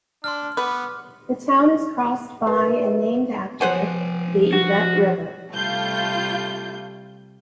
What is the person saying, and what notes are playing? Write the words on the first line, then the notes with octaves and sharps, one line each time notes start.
The town is crossed by and named after the Yvette River.
D4 C6 F6
B3 B4 D6
A#4 B4 E5
F3 B3 C5 F#5 G#5
F#4
C3 G3 A3 F4 G6